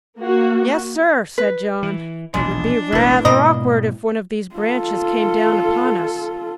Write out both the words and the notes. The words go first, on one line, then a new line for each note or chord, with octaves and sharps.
"Yes, sir," said John, "it would be rather awkward if one of these branches came down upon us."
A#3 F#4
B4
E3
E1 A#1 D#2 G#3 D4
E1 A1 E4 B4
G#2 B2 G3 A#3 A#4 D#5
F4 A4